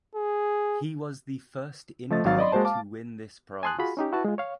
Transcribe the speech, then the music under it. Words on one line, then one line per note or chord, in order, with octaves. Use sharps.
He was the first Indian to win this prize.
G#4
F3 A3 D#5 A6
G#1 F#3 F5 A6
D5 D#5 B5 C6
G#3 A#3 F#4 C5 A5
F5 A5 D6
G#5 A5 C6 D#6 F#6
F4 F#4 G#4 B5
C#4 D#4 G4
E4 F#4 B4 A5
G#3 F4
C#5 F5